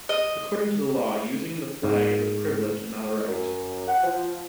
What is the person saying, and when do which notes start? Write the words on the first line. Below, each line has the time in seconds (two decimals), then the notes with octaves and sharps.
According to the law, using the flag is a privilege and not a right.
0.09 D#5
1.83 G#2
3.29 F#2
3.88 F#5
4.04 F3